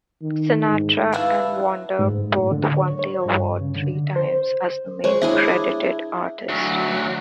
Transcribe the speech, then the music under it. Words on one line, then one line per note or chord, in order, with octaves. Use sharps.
Sinatra and Wonder both won the award three times as the main credited artist.
D#3
G#2
E4 F#4 A4 B4 D5 F5
G#2
A2
D3
C#5
C#5
G2
C#3
D3
C5
G#3 A#4 C5 C#5
D4 E4 G#4 E5
D2 F#3